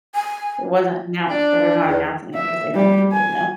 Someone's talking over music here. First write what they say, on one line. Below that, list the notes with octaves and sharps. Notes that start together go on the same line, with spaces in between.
it wasn't announced or they're not announcing it because they don't want people to know.
G#5
D4
E2
E5
G3
G#5